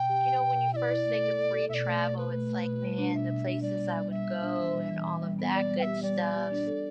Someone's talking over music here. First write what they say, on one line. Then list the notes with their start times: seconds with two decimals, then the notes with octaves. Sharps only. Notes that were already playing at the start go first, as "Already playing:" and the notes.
you know, when you first think of free travel, it's like, "Man, the places I would go and all of that good stuff,"
Already playing: B2 G5
0.09 G4
0.25 G4
0.42 B2
0.57 B2
0.73 E4 D5 E5
0.90 E4
1.06 A3
1.22 A4
1.38 A4
1.54 A4
1.69 B2 D5 E5
1.86 A3
2.02 B2
2.18 B2 B4
2.34 A3
2.49 A3
2.66 B2
2.82 G3
2.98 D4
3.14 B2 E5
3.30 B2
3.47 D4
3.62 G3 D5
3.78 G3
3.94 G3
4.10 G3 E5
4.27 G3
4.42 D4
4.59 E3
4.74 G3
4.91 E3
5.07 E3
5.22 G3
5.39 B3
5.55 G3 D5
5.70 G3
5.79 G5
5.82 G4 E5
6.03 G3 D5
6.19 G3
6.34 G4
6.51 D4
6.67 A4